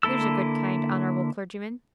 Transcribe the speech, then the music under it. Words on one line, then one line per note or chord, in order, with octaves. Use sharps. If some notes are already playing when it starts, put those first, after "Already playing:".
There's a good, kind, honourable clergyman.'
D3 A#3 E4 A4 E6